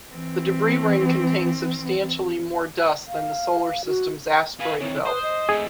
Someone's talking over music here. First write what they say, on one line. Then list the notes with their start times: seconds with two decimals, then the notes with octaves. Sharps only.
The debris ring contains substantially more dust than the Solar System's asteroid belt.
0.13 E3 C4
3.07 F5
3.85 F#4
4.60 G#4 B4 F5
4.80 D#3 E3 C4 C#5
5.06 B4 C5 D#6
5.22 D#5
5.49 F2 A3 G#4